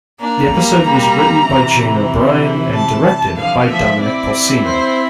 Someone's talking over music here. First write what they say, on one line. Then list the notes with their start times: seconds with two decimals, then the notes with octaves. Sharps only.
The episode was written by Jane O'Brien and directed by Dominic Polcino.
0.20 A#3 D4 A#5
0.52 G3 A#3
0.84 G3 A#3
1.47 C3 E3
2.75 A5
3.06 A5
3.37 D3 F3 F5
3.69 F3 A3 E5
4.00 C4 E4 D5
4.64 C5